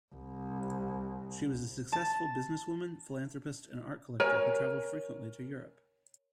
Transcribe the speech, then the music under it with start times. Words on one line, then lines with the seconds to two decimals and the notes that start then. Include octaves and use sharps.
She was a successful businesswoman, philanthropist and art collector who traveled frequently to Europe.
0.14 C2
1.92 A5
4.20 A#4 C#5 G#5